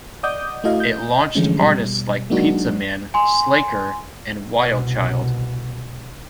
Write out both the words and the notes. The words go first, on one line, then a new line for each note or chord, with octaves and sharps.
It launched artists like Pizzaman, Slacker, and Wildchild.
D5 D#5 F#5 D6 D#6 G6
A3 E4 F#4 D#5 F5
D#5 G6
D3 E3 F3 G#3 A3 C#4
B2 G3
F#3 G#3 A#3 D4 D#4 F#4
G#5 C6
C2 B2